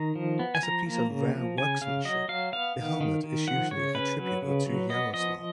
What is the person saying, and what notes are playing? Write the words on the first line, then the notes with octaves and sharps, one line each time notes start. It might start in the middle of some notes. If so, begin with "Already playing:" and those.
As a piece of rare workmanship, the helmet is usually attributed to Yaroslav.
Already playing: D#3 A#5
F3
B3
G#5
F3 A#5
A#3
C#3
F3
C#3 G#5
C#3 F5
F#3 D#5
F#3 F5
B3 F5
D#3
D#3
D#3
F3 F#5
C#3 C#5
C#4 B4
F#3
C#3
F#3
B3 D#5
F3 D#5